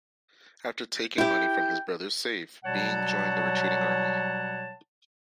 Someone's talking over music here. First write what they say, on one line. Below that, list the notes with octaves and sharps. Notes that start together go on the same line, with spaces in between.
After taking money from his brother's safe, Bean joined the retreating army.
E4 G4 G5
B2 F#3 G3 C#5 F#5 A5